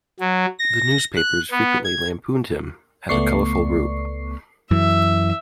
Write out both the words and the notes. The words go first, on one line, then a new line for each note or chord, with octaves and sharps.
The newspapers frequently lampooned him as a colorful rube.
F#3
A#6
F#6
B3
G#6
C#2 A3 B3 D5 C#6 C7
F#2 E3 E5